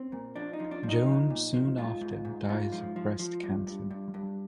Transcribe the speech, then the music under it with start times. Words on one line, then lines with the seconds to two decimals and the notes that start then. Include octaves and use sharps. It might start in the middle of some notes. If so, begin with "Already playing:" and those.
Joan soon after dies of breast cancer.
Already playing: C4
0.12 A#2
0.36 F3 D4
0.53 D#4
0.60 F3
0.71 D4
0.83 F3
0.89 D#4
1.06 F3
1.30 A#2
1.54 F3
1.78 G#2 F4
2.01 G#2
2.25 G#2
2.49 G#2 F4
2.72 F3
2.96 F3
3.19 F3
3.43 G2
3.67 G2
3.91 G2
4.14 G2